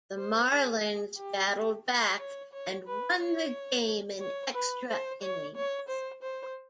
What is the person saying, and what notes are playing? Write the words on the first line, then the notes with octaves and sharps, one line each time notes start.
The Marlins battled back and won the game in extra innings.
C5
G#4
G4
C#5
C#5
B4
C#5
C#5
B4
C5
C#5
C#5
C5
C5